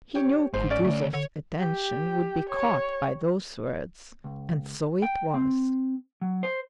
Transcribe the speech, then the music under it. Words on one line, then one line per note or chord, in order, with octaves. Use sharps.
He knew Kutuzov's attention would be caught by those words, and so it was.
G4 C#5
G1 G#2 C5
C#4 D5
D2 A3
D3 C#5
G4
C#5
C#2
G5
C4
F#3
C5